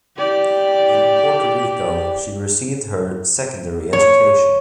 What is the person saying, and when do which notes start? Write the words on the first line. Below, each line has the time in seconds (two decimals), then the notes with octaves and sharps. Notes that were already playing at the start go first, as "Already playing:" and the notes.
In Puerto Rico, she received her secondary education.
0.17 G4 D5
3.93 C#5